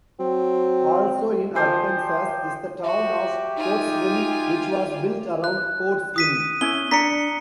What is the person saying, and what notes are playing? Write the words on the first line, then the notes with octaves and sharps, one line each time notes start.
Also in Arkansas is the town of Pottsville, which was built around Pott's Inn.
F#3 C4
F3 G4 C5 G#5
F#4 G4 E5
D#4 F4 G#5
F#6
D#6 B6 D#7
C#4 E4 G7
D4 A#5 B6 C#7